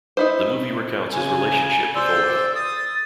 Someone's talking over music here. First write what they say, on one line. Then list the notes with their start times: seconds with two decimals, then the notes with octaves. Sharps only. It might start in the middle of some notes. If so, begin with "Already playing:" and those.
The movie recounts his relationship with Olga.
0.17 D#4 E4 C5
1.12 C#3 G#5
1.95 C5 D5 C6 E6
2.55 D#6 A6